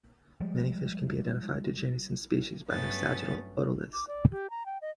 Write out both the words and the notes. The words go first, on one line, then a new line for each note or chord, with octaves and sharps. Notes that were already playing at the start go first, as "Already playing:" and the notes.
Many fish can be identified to genus and species by their sagittal otoliths.
F3 G3 G#3
G2 F#3 A3 B3 C#4 A6
D6
D5
G4
A#5
G5
D#5